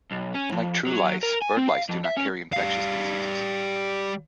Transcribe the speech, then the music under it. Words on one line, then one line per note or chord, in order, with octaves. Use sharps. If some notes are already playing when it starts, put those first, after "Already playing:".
Unlike true lice, bird lice do not carry infectious diseases.
B1
C#4
F2
F#3
A#4
G#5
C4
F5
F2
E5
C#4
G3 F5